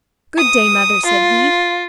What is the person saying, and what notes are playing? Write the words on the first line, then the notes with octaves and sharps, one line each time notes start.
'Good day, mother,' said he.
D#6
F4